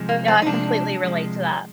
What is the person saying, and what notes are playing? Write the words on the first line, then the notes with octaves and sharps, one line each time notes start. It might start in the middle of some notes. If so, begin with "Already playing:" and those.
no, I completely relate to that.
Already playing: C3 F3 G#3
A#3
C4
D#4
C3 F3 G#3 D4
C3 F3 G#3